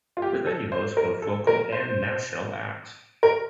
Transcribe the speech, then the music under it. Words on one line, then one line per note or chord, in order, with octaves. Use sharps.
The venue hosts both local and national acts.
F4
G4
A4
C5
A#4
A4
A#4
C5
A#4